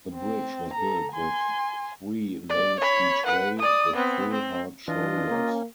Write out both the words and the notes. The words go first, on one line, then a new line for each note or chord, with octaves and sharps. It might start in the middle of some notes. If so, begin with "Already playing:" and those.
The bridge was built with three lanes each way, with full hard shoulders.
C4
A4 A#5
G#5 C6
D5
C#5 B5
B4 F#5
D5 D#6
B3 C4
C4
E3 D4 F4 D#5
A#3 C#4